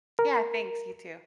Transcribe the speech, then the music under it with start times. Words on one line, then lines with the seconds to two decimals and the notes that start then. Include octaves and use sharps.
Yeah, thanks, you too.
0.19 A#4